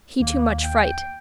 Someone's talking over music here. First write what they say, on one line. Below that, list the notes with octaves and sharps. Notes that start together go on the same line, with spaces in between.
He too much fright.
D#2 A#3
G5